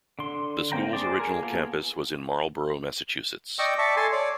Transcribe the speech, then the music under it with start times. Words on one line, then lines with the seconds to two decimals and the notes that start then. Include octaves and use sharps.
The school's original campus was in Marlborough, Massachusetts.
0.19 D3 C6
0.72 A#3 C4 G5 A#5
0.93 G#4 C5 D5
1.20 G#4 A#4
1.41 A#3 B3 F4 G#4 A4
3.59 D5 D#5 G5 C#6 E6
3.78 D5 E5 A5 C#6
3.97 A4 G#5 A5 C6
4.12 C#5 D5